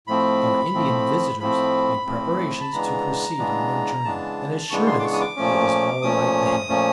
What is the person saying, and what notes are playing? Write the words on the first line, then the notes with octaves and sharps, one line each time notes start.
Our Indian visitors made preparations to proceed on their journey, and assured us it was all right ahead.
A2 F3 A3 C4 B5
A2 F3 A3 C4
A2 F3 A3 C4 B5
A2 F3 A3 C4
A5
C#3 E3 G#3 B3 D4 A#5
C#3 E3 G#3 B3 D4
C#3 E3 G#3 B3 D4 A5
C#3 E3 G#3 B3 D4 C#6
C6
D6
C#6
D#6
D6
A#2 F3 A3 C#4
A#2 F3 A3 C#4 D#6
A#2 F3 A3 C#4